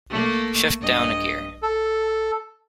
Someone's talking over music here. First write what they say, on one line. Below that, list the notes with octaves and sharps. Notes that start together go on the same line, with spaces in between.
Shift down a gear.
A3 A#3
G2 D#5
A4